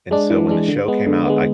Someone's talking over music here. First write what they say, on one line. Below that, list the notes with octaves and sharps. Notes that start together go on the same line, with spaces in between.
and, so when the show came out, I
G#3 D4
E3
G#3 D4
D3
G#3 B3
D3
G#3 B3